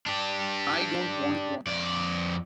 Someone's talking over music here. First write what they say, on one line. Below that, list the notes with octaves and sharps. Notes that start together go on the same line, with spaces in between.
I don't want one.
D4 G4
F2 D5